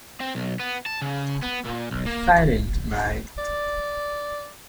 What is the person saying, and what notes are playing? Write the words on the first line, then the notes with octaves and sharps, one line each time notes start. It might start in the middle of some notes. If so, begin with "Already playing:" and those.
Silent Night.
C4
B1
B3
A5
C#3
B3
A#2
B1
A#3
D5